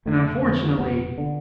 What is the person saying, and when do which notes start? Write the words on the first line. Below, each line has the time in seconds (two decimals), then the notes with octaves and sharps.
and unfortunately,
0.06 F1 A3
0.42 F2 D3
0.79 F1 B3
1.18 D3